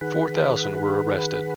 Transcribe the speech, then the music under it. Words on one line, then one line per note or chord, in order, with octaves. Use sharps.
Four thousand were arrested.
D#3 G#4 B4 F#5 B5